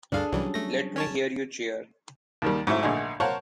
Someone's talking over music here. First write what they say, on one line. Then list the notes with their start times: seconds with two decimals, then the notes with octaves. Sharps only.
Let me hear you cheer!
0.12 D2 G2 D4 G#4 A4 F5
0.33 C2 E3 F#3 G3 C#4 D4
0.54 A3 A#6
0.96 C#4 C#5 A5
2.42 D#2 D#3 G3
2.67 G#2 F#3 A3 C4 E4
2.83 A#1 D3 A3 D#4 G#4
3.20 A#4 C5 C#5 F5 F#5 A5